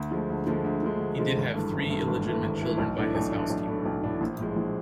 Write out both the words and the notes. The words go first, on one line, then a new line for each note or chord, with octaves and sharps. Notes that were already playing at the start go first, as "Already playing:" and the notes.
He did have three illegitimate children by his housekeeper.
Already playing: D2
D3 F3 G#3
D2
D3 F3 G#3
D2
D3 F3 G#3
D2
D3 F3 G#3
G#1
G2 E3 A3
G#1
G2 E3 A3
G#1
G2 E3 A3
G#1
G2 E3 A3
B1
A2 E3 A3 D4
B1
A2 E3 A3 D4
B1
A2 E3 A3 D4
B1
A2 E3 A3 D4
A#1
A2 F3 G#3
A#1